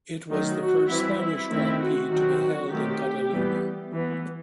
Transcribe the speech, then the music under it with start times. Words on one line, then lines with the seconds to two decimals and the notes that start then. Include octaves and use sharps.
It was the first Spanish Grand Prix to be held at Catalunya.
0.30 D#3 F#3 A3
0.60 F#4
0.89 E3 G3 C4 E4
1.21 E4
1.50 D#3 A3 C4 E4
1.81 F#4
2.11 D#3 F#3 C4 F#4
2.71 D#3 F#3 A3 C4 G4
3.32 E3 G3 B3
3.93 E3 B3